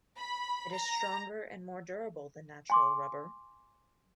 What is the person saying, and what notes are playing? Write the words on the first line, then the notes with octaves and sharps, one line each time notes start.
It is stronger and more durable than natural rubber.
B5
A#5
G#5 C6 D6